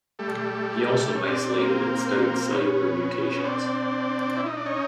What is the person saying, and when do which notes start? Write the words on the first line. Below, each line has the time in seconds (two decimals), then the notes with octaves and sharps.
He also isolated and studied cellular mutations.
0.19 G3 A3
1.15 C#4
1.27 C4 D4
1.42 C4 D4
1.58 A#3 C4
2.50 B3 C#4
3.43 C4 D4
4.37 E4
4.46 D#4
4.57 D4
4.66 C#4 D#4